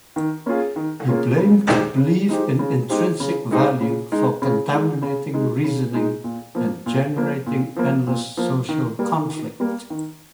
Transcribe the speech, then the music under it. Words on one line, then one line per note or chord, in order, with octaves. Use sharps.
He blamed belief in intrinsic value for contaminating reasoning and generating endless social conflict.
D#3
A#3 C#4 F4 G#4
D#3
A#3 C#4 F4 G#4
C#3
G#3 D#4 G4 C5
C#3
G#3 D#4 G4 C5
C#3
G#3 D#4 G4 C5
C#3
G#3 D#4 G4 C5
C#3
G#3 D#4
C#3
G#3 D#4
C#3
G#3 D#4
C#3
G#3 D#4
A#2
F3 A#3
A#2
F3 A#3
A#2
F3 A#3
A#2
F3 A#3
D#3
G3 A#3
D#3
G3 A#3
D#3